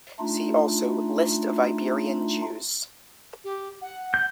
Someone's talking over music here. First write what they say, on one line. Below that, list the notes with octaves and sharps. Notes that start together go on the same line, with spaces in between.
See also List of Iberian Jews.
A3 D4 D#4 F4
G4
F#5
G6